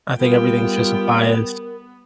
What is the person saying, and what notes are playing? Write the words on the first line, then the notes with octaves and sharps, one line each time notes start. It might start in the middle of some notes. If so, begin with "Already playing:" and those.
I think everything's just a bias.
G3 B3 F4 A#4 G5